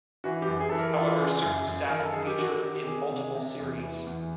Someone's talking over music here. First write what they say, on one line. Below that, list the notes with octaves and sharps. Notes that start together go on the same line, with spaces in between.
However, certain staff feature in multiple series.
E3 F#4
G4
F#2
G#4
E3 A4
A#4
E3 F4
C#3
F#2
F#2
D#3 A#4
A4
D#3 G#4
G4
D#3 F#4
D#3 G4
G4
D#3 G#4
C3
C3
E2
E3
E2